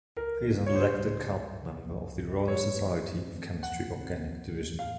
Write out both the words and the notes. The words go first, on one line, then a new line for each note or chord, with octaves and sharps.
He is an elected council member of the Royal Society of Chemistry organic division.
C#2 A#4
C#3 A3 C#4
C#5
C#2 C5
C#3 A3 C#4
C#2
C3 F3
C#2
C3 F3
F2 C#5
D#3 A3 C4
F2
D#3 A3 C4
C#2 F#5
C3 D#3 A3 C4
C#2
C3 D#3 A3 C4
A2 F5